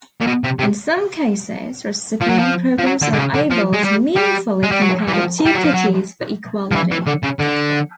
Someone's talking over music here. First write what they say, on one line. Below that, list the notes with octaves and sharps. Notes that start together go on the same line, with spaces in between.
In some cases, recipient programs are able to meaningfully compare two cookies for equality.
A#2
B2
C3
C3
F3
F#3
F3
F3
F#3
D3
D3
C#3
D3
F3
G#3
G3
G3
G#3
G3
F#3
E3
F3
G3
F#3
F3
F#3
F3
E3
E3
D3
C#3
D3